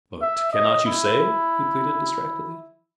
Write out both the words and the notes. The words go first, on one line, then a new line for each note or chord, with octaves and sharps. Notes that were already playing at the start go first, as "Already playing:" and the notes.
"But cannot you say?" he pleaded, distractedly.
E5
D#5
E4